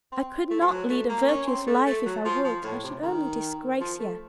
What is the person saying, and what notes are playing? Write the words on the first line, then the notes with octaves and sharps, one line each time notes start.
I could not lead a virtuous life if I would. I should only disgrace you.
C4
A3
F3
F#3
A3
A#3
C#4
C4
A3
A3
F#3
F3
F3
A2
C3
D#3
F3
A3